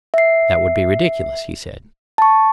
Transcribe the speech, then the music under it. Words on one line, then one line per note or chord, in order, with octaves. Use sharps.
That would be ridiculous, he said.
E5 C7
A5 C#6